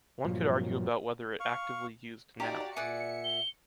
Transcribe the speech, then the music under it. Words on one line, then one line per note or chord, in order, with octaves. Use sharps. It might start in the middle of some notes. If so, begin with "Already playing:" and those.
One could argue about whether it actively used now.
G2 A#2 F3 F#3
F5 C#6
D#4 F#4 G4 D5 F5 A#5
A#2 G#4 D5 E5 F#5 C#7
G7